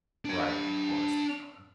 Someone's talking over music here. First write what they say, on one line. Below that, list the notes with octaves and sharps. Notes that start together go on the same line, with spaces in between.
Right, of course, I'm sure.
D4 B5